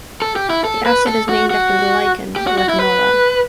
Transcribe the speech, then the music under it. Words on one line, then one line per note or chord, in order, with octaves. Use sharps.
The acid is named after the lichen "Lecanora".
A4
G4
E4
A4
B4
A4
F#4
F#4
G4
F#4
F#4
E4
B4